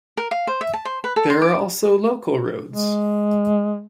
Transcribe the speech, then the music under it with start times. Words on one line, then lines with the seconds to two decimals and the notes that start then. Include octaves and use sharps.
There are also local roads.
0.17 A#4
0.31 F5
0.47 C5
0.61 E5
0.73 A5
0.85 C5
1.04 B4
1.16 A4
1.30 C6
1.42 D6
2.70 G#3